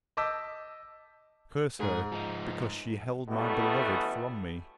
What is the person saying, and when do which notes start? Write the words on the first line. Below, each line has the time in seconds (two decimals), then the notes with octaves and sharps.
"Curse her, because she held my beloved from me."
0.17 D#5 A5 D6 E6 G6 B6
1.80 G#2 G#4
2.12 F3 D#4
3.29 A1 B2 E3 G3 A3 B3